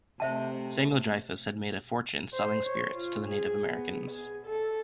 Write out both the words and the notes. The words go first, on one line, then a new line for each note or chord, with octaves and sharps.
Samuel Dreyfuss had made a fortune selling spirits to the Native Americans.
C3 A3 C5 E5 A5
C5
C#5
F4
G#4
B3
G#4
A4